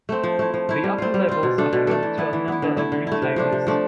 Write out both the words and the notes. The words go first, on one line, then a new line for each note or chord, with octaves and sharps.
The upper levels are home to a number of retailers.
A3 C4
F3
A3 E4
F3
A3 E4
G3
C4 F4
G3
C4 F4
B2
A3 D4 A4
B2
A3 D4 A4
E3
B3 E4
E3
B3 E4
D3
A3 E4
D3
A3 E4
C3
F3 A3 D4
C3
F3 A3 D4